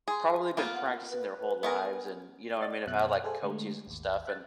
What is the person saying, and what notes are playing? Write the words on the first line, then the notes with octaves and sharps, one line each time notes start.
probably been practicing their whole lives and, you know what I mean? Have had, like, coaches and stuff, and
G#4 C6
A#3 B3 F4
F#5
B4
B3 G#4 A#4
D5 D#5 A6
F#2 B2 E5 F#6
G#4 A4 C5 G#5
D3 G#3 A3
G#1 D#2
E5 F#6 A6